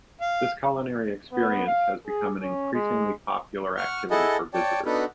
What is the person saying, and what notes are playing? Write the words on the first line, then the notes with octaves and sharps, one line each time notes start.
This culinary experience has become an increasingly popular activity for visitors.
F5
B3
F5
G#4
C#4
G#3
F#5 C#6 F6
E4 G#4 A4 D#5 F#5 A5
C#5 D5 G5 A5
B3 D4 D#4 F#4 A4 B4